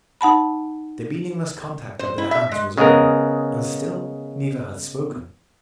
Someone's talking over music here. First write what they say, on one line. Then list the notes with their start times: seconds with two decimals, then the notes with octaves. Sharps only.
The meaningless contact of their hands was over, and still neither had spoken.
0.21 D#4 F#5 A5 B5
1.99 C5
2.18 E4
2.31 E5
2.51 G#3
2.78 C#3 G#3 B3 G#4 A#4